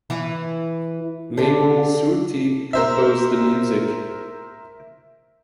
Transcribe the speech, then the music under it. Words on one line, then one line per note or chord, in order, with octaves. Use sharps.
Mehul Surti composed the music.
E3 E4
D3 D4
A#4 C5 E5